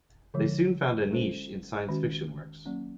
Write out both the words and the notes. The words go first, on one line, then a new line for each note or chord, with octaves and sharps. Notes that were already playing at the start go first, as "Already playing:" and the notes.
They soon found a niche in science fiction works.
D3 F3 G#3
G#3 C#4 F4 A4 C5
D#3 G#3 C#4 F#4
F#3 A#3 C#4